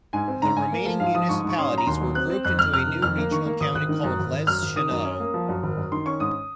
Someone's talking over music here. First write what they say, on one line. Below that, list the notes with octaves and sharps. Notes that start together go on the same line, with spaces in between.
The remaining municipalities were grouped into a new regional county called Les Chenaux.
G#2 G#5
C4
G#2 A#5
G#2 G#5
A#3
F3
G#2 F5
F3 D#6
G#2 C#6
G#2
C#6
C#4 C6
F#3
A#5
D#2 C6
F#3
C4 F#6
C4
F2 F#6
F2 F6
C3 F6
D#3
F2 F6
A#3
D#3 C#6
A#3
G#1 D#6
G#1 F#6
D#3
F#2
G#1
G#1
F#2 F6
G#1
D#3 D#6
F#2
C#4
A#3
F3
F#2
G#1
F#2
D#3 C6
C#4 C#6
G#2 D#6